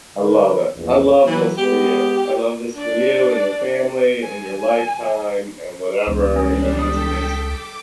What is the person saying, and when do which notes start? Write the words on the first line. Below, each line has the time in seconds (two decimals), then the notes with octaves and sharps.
I love it. I love this for you. I love this for you and your family and your lifetime and whatever, and that's amazing.
0.18 D3 A#4 B4
0.75 A#1 E2
1.26 E3 F#3
1.57 G#3 B3 G4
2.75 D4 D5
4.23 G#5
6.07 E1 C#2
6.36 G3 C#4 D4
6.79 A4 G5 D#6 B6
7.38 D6